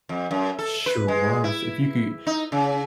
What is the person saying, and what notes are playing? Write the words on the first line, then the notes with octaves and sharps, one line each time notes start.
Sure was. If you could
F2
F#2
A4
B4
G#3
E4
D#4
C#3